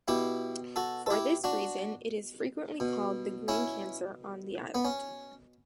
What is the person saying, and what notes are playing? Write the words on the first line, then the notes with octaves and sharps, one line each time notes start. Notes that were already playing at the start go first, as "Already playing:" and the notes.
For this reason, it is frequently called the "green cancer" on the island.
B2 E4 G4
F#4 A4
A4
E4 G4
D4 F#4
B2
C#4 E4
B3
C#4